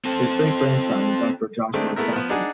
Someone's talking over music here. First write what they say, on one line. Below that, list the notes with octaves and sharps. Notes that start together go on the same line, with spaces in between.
His great-grandson is actor Joshua Sasse.
C4 A4
D#3 G#3 A3 C4 D4
G#3 A3 B3 E4 A#4
F3 B3
D4 D#4 G#4 D5 F#5 G#5